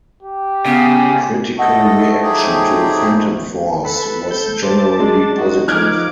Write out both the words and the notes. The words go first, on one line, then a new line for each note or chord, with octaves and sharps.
Critical reaction to "Phantom Phorce" was generally positive.
G4
C#3 B3
A3 A4 D#5 F#5
F3 F#3 D#4 E4 G4 G#4
A4 B4
G6
C5 D5 A5
G#3 D4
D#4 F#4
F3 A#3 D#4 D6 F6 F#6 G#6